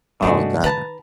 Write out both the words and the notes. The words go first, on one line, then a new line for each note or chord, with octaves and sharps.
Oh, god.
G2 C3 G#3 A3 B3 D4 F#4
D#3 B4 A5 A#5